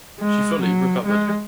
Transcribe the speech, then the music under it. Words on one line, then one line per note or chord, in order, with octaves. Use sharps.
She fully recovered.
G#3
F#3
G#3